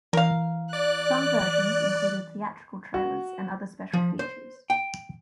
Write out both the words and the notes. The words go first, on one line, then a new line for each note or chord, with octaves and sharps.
Some versions included theatrical trailers and other special features.
E3 A#4 F5
D5 F#6
F#4
F3
C5
G5